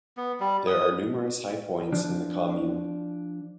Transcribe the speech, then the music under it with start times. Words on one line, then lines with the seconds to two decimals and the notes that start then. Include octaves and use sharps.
There are numerous high points in the commune.
0.17 B3
0.40 G3
0.67 D#6
1.93 F3 D4